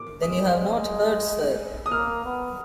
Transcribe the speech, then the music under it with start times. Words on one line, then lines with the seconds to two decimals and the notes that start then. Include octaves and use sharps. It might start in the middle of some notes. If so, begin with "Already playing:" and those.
Then you have not heard, sir?
Already playing: D6
0.21 G#3 D#6
1.86 D#6
1.91 A#3 F6
2.25 B3